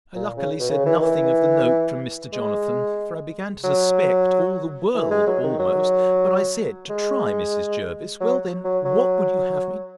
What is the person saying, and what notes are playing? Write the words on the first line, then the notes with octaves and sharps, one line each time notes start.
I luckily said nothing of the note from Mr. Jonathan; for I began to suspect all the world almost: but I said, to try Mrs. Jervis, Well then, what would you have me do?
A#2
C#3
B2
C#3
E3
D#3
E3
G#3
F#3
E3
G#3
F#3
D#3
F#3
G#3
F#3
F#3
F#3